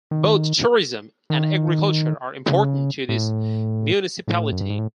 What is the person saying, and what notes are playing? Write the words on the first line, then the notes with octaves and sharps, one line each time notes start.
Both tourism and agriculture are important to this municipality.
D#3
D#3
C#3
A2
A2
F#2
G2
G#2
A2